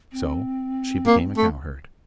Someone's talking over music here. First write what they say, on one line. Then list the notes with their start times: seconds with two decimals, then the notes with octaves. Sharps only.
So she became a cowherd.
0.12 C4
1.07 A#3
1.37 A3